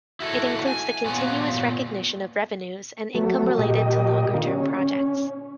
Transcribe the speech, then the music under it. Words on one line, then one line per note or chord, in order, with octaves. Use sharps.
It includes the continuous recognition of revenues and income related to longer-term projects.
E4 F#4 A4 F#5
G#5
A#2 B3 F4 C#5 F#5
F#3 A3
A#2 G4 D#5
D3 A#3 F4
C#4